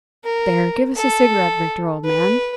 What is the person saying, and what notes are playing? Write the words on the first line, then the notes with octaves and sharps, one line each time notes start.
There, give us a cigarette, Victor, old man.
A#4
A4
B4